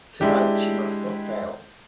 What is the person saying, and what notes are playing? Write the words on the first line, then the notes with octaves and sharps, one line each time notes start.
Tonight she must not fail.
G#3 D4 E4 G4